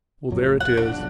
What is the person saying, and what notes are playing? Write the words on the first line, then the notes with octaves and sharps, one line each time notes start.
Well, there it is.
A1 F2 F#3
A1
E1 F#5
D4
F1 B1